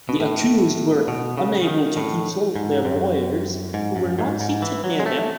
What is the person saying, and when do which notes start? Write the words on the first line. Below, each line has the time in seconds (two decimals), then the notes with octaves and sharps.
The accused were unable to consult their lawyers, who were not seated near them.
0.09 B2
0.20 A2
1.08 B2
1.38 C#3
1.62 C#3
1.67 D#3
1.97 A2
2.56 G#2
2.85 F#2
3.74 G#2
3.96 F#2
4.19 G#2
4.41 G#2
4.62 E3
4.84 F#3
5.00 G#3
5.06 A3